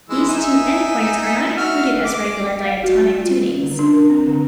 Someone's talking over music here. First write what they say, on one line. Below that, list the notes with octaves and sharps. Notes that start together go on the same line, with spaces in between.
These two end points are not included as regular diatonic tunings.
E3 G#3 E6
D#4 E5 G#5
F#4 E5 F6
D6
G5
F5
F#4
G3
F4
C#4
D3
D4
A#4
C4
D3